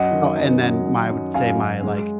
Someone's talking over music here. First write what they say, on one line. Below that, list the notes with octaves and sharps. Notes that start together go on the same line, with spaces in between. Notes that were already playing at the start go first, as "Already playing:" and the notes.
Oh, and then my I would say my, like,
Already playing: F#2 D#5 F#5
D#3
F#2
F#2
F#2
F#2
F#2 F5 G#5
F#2
G#3